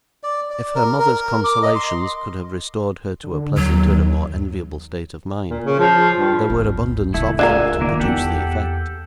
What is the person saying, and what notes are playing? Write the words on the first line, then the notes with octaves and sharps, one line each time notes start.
If her mother's consolations could have restored her to a pleasanter and more enviable state of mind, there were abundance of them to produce the effect.
D5
D5
A#4
A#4
D6
D#5
C6
D3
D#2 F#3
A#2
C#3
F3
G2
D1 G#1
D1 C#2 A3 E4
D4 F4 A#4 E5 G#5
D#3 A#3
E2 E4 G4 A4 F#5